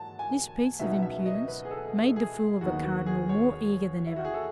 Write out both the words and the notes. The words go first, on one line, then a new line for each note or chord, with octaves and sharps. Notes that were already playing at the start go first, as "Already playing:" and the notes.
This piece of impudence made the fool of a cardinal more eager than ever.
Already playing: G#2 F#3 A5
G#5
C#2 B2 F#3 B3 D#4 E5
E5
D#5
B4
G#4
A4
G#4
D#2 D#3 F#3 B3 D#4 F#4
F#4
G#4
C#5
E4
F#4
G#4
A4